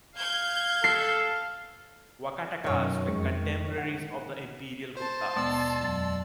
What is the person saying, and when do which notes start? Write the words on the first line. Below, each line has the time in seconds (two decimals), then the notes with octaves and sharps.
Vakatakas were contemporaries of the Imperial Guptas.
0.17 F5 G6 G#6
0.84 A4 C7
2.64 F#2 B2 D#3 C#5
3.07 F2 G#3 C#6
3.46 A2
3.78 F#5
4.97 C5 A5 C6
5.36 D#2 B2 G#3 B3 D5 E6
5.80 F2 F#3 A6